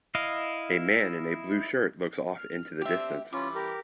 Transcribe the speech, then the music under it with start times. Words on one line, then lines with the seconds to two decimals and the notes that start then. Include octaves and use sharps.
A man in a blue shirt looks off into the distance.
0.15 E4 D#5 F5
2.37 F6
2.81 C4 D4 G4 E5
3.33 E3 G3 C#4 F4 B5 D6
3.55 G4 A#4